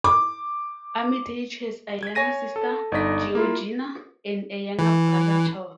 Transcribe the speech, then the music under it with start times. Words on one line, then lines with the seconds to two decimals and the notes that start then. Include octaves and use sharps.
Armytage has a younger sister, Georgina, and a younger brother, Charles.
0.04 D6
2.03 G#6 B6
2.15 C#5 G#5 A#6 D#7
2.56 A4
2.92 G1 D#4 A4 D5 D#5 B6
3.35 A#3 E4 F4
4.79 E3